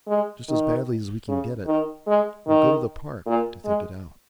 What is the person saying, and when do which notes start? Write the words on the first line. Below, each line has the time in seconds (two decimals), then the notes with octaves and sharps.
Just as badly as we can get it. We'll go to the Park to think it out.'
0.08 G#3
0.48 D#3
1.28 C#3
1.67 D#3
2.07 G#3
2.47 D#3
3.26 A#2
3.65 G#3